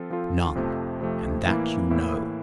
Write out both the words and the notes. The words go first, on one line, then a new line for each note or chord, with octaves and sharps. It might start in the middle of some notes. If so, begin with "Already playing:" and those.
None: and that you know.
Already playing: F3 C4 F4 A4
F3 C4 F4 A4
F2 C3 F3 A3
F2 C3 F3 A3
A2 E3 A#3 E4
A2 E3 A#3 E4